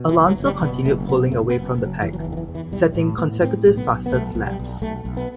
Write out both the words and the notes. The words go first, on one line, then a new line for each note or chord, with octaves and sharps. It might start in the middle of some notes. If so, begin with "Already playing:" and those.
Alonso continued pulling away from the pack setting consecutive fastest laps.
Already playing: B2
E3
F#1
F#3
F#1
G3
B2 B3
F#1 A3
B2 B3
F#1 A3
B3
F#1
F#1
F#3
F#1 E3
F#3
E3
E2
D#3
E3
E2
E3
B1 G3
A2 A3
A2 B3
A2 C4
B1
B3
B1
B3
B1 A3
B1
G3
B1
B1 A3
B1
B3